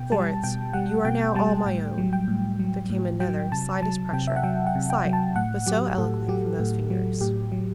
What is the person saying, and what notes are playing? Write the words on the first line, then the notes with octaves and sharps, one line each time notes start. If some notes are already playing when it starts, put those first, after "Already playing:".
"Florence, you are now all my own." There came another slightest pressure, slight, but so eloquent from those fingers.
Already playing: B2 G5
G3 A5
B2 G5
G3 F#5
B2 G5
G3 A5
A2 G5
F#3
G5
A2
F#3
A2
F#3 G5
C3 A5
F#3 A5
C3 G5
E5
F#5
F#3 G5
F#5
C3
G5
F#3
A5
A2 F#5
F#3 G4
A2 A4
F#3 G4
A2
F#3
A2 G4
F#3